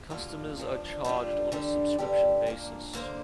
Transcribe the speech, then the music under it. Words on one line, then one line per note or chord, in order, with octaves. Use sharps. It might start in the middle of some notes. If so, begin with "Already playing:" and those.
Customers are charged on a subscription basis.
D2 D3 G3 A#3 F4
G2 F3 D4
D3 G3 D4 F4
D3 G3 D4
G2 D3 G3 D4 G4
A#2 A#3 D4
D3 A#3 G4 C5